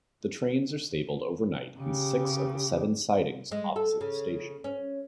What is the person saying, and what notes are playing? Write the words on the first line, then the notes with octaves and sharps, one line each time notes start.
The trains are stabled overnight in six of the seven sidings opposite the station.
C#3 G4
G#3
A4
C#3
C#4